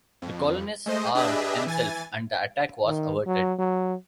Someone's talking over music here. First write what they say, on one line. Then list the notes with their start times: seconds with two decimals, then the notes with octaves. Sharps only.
The colonists armed themselves, and the attack was averted.
0.22 F2
0.86 G#3 A3 C5 D#5
1.15 D4 G4 G#4 B4 D#5 E5
1.66 E3 G#5 A6
2.86 D#3
3.26 F#3
3.59 F#3